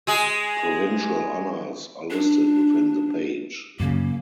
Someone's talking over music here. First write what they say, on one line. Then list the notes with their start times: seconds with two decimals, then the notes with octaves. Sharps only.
Provincial honours are listed within the page.
0.07 G#3 G#4
2.11 D4
3.80 F#2 C#3 A#3